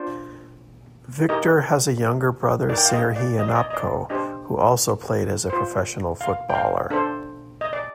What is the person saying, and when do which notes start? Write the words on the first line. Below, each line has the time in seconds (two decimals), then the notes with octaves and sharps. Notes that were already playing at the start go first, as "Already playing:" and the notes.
Viktor has a younger brother Serhiy Onopko who also played as a professional footballer.
Already playing: D4 F4 C5 D5
1.29 D#4 G4 A#4 D#5
2.69 D#4 D5
2.73 A#4 G5
2.85 F5
2.93 D#5
3.16 D5
3.39 D#5
3.48 D5
3.56 D#5
3.71 D#5
3.74 D5
4.10 D4 G4 C5 D#5
5.50 F4 C5
6.21 F5
6.49 G5
6.55 F5
6.90 D4 A4 C5
7.61 D#5
7.73 D5